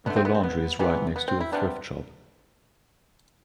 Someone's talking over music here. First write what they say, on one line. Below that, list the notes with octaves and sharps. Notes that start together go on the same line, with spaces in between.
The laundry is right next to the thrift shop.
D3 A3 B3
C4
B3
C4
B3
C3 E3 B3
B3
C4
E4
C3 G3 B3 D4